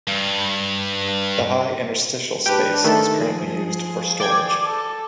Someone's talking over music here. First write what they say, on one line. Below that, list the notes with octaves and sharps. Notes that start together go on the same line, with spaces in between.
The high interstitial space is currently used for storage.
G2
G#2 D4 G4 B4 A5
D#3 A3 A4
F3 G#4
D5 G5 D6 G#6
A4